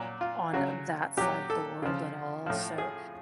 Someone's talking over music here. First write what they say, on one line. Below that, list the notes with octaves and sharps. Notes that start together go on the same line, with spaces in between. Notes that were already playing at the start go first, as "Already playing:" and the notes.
on that side of the world at all, so,
Already playing: A#2 F#3
F4
C#3 F#3 F#4
A#2 F#3 G4
A4
C#3 F3
A2 F3
G#4